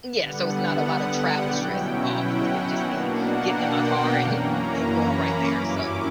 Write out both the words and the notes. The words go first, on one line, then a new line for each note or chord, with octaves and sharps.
Yeah, so it's not a lot of travel stress involved with it. Just me getting in my car and and going right there. So,
D3 G3 B3 F#5
G5
B2 F#3 C#4 E4
F#5
B2 A#3 D4
F#5
G5
F#2 E3 A#3 C#4 A#5
B5
D6
G2 F#3 C#4 E4